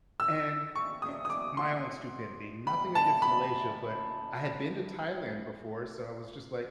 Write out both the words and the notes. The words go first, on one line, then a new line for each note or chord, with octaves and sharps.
And, yeah it's my own stupidity, nothing against Malaysia, but I had been to Thailand before, so I was just like,
E6
C#6
D#6
D#6
D6
C6
B5
A5
B5